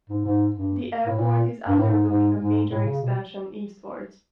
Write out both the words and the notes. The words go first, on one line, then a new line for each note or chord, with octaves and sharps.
The airport is undergoing a major expansion eastwards.
G#2
G#2
G2
A2
A#2
G2
A2
G#2
G#2
G#2
A2
C#3
B2